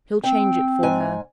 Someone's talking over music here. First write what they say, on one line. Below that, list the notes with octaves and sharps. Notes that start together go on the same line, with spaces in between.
He'll change it for her.'
C4 G5
G#2 G#5